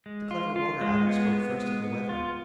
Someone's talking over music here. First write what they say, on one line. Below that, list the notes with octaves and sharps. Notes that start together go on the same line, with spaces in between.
The Clever Water-Adder spoke first of the weather.
G#3
F4
F4
G#3
B3
B3
G#3
B3
F4